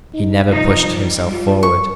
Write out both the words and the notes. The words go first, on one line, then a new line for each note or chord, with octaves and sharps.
He never pushed himself forward.
D#4
C3 F3 D#4
G3
F4
C#6